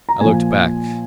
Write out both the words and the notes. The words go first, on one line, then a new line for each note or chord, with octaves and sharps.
I looked back.
A#5
A#2 F3 G#5